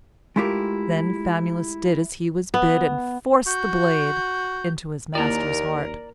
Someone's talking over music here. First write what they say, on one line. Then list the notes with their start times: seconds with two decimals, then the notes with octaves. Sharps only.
Then Famulus did as he was bid and forced the blade into his master's heart.
0.36 G#3 A3 E4 F4 G4 A#4
2.54 B3
3.46 F#4 G6
5.15 D#2 A#3 E4 A#4 D5 A#5